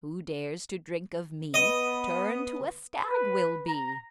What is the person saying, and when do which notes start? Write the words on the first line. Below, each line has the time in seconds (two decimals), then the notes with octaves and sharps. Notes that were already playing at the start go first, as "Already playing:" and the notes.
"Who dares to drink of me, Turned to a stag will be."
1.54 B3 D#5
3.06 B4
3.68 A#5